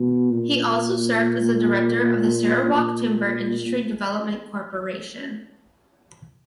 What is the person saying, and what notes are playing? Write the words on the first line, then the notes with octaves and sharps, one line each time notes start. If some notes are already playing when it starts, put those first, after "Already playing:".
He also served as the Director of the Sarawak Timber Industry Development Corporation.
Already playing: B2
A#2
A#2